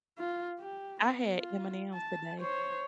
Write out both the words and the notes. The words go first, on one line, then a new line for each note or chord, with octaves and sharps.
I had M&M's today.
F4
G4
B3
F4
A5
C5 C#5